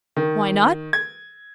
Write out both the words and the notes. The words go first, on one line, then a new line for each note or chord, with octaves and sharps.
"Why not?"
D#3
G#6